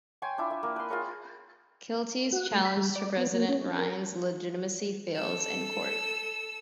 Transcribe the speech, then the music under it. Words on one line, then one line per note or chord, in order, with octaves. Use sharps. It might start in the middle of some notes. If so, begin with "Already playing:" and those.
Kealty's challenge to President Ryan's legitimacy fails in court.
C#5 G5 G#5 C6
D4 E4 F4
E5
A#3
B4 C6
F4 G#4 A#4 C#5
F#4
A3
B5
G3
D5
B3
A#3
C#4
A#4
A4 E6